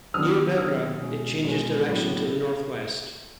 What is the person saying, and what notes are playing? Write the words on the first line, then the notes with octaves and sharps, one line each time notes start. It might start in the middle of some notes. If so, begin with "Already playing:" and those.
Near Bebra it changes direction to the northwest.
D#3 F#3 B3 D4 D#6 F6
D#3 F#3 B3 D4 D#6 F6
B2 G#3 C#4
B2 G#3 C#4
A2 F#3 B3 D4